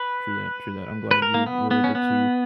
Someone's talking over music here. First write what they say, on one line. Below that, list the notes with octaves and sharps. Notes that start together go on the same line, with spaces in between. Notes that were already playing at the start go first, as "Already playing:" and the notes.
True that. True that. I'm glad you were able to
Already playing: B4
B4
A#4
A#3
B3
B3
C#4
B3